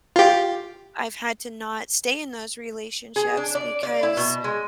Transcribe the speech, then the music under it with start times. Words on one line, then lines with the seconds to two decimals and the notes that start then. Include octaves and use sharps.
I've had to not stay in those relationships, because
0.16 F4 G4
3.16 G#4
3.37 D4
3.55 D5
3.83 D5
4.03 E4
4.17 B2
4.44 G#3